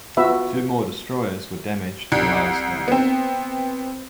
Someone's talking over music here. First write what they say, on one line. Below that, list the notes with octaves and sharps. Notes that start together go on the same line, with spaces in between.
Two more destroyers were damaged the last day.
B3 F4 F#4 B4 E5
C2
B3 C4